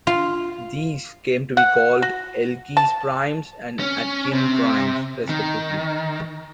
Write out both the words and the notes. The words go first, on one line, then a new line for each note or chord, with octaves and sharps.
These came to be called Elkies primes and Atkin primes respectively.
F4
F#5
F#4
A5
C#4
C3
D#3